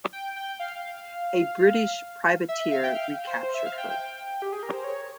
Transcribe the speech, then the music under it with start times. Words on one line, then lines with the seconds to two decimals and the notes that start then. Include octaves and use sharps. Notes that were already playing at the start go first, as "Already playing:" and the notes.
A British privateer recaptured her.
0.13 G5
0.36 G5
0.59 F5
2.48 E5
2.60 E5
2.71 F5
2.84 G5
2.95 F5
3.27 C5
3.43 C5
3.54 E5
3.66 F5
3.78 G5
3.90 G5
4.42 G4
4.52 G#4
4.63 A#4
4.73 C5
4.84 C#5